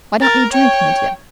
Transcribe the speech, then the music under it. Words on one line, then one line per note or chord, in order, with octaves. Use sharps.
Why don't you drink, Mitya?
A#4 A6
C#5 G5